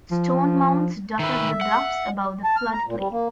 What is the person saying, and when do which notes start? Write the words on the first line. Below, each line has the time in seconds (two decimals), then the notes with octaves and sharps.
Stone mounds dotted the bluffs above the floodplain.
0.11 F3
1.19 D#3 B4 E5
1.61 F#5
2.44 A5
2.56 F6
2.73 A#5
2.87 A#2
2.99 G3
3.12 A#3